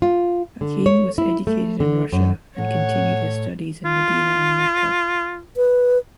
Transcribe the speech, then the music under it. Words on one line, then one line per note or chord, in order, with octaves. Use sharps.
Hakim was educated in Russia and continued his studies in Medina and Mecca.
F4
D3
C#5
E4
A3
D3
F#2
A2 C#5 F#5
F4
B4